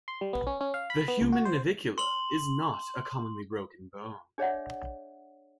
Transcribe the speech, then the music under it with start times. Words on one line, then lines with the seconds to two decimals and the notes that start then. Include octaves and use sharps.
The human navicular is not a commonly broken bone.
0.08 C6
0.21 G3
0.33 B3
0.47 C#4
0.61 C#4
0.74 F5
0.90 B5
1.08 B3
1.21 C#2
1.32 F#4
1.45 C5
1.98 C6 F#7
4.38 D4 G#4 C#5 D5 E5 F#5